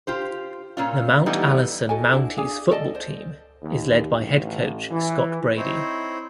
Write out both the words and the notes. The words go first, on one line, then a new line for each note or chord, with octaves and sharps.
The Mount Allison Mounties Football team is led by head coach Scott Brady.
F4 G4 C5
A#2 C#4 F4
E3 G3 A3 B3 D#4
F#4 A4 D#5 G#5
D4 E4 F#4
D4 G#4 F5 G#5
A4 D5 D#5 A5
C5
D#2
A1
E3
C4 D#4 E4 C5 C#5